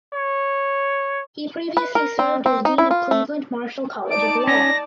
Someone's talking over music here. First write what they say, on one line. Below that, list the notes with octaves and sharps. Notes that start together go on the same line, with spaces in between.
He previously served as Dean of Cleveland–Marshall College of Law.
C#5
B4
A#4
C4
C4
D#4
E4
F4
A3
D#4 D5 A5 D7
C#4 A#6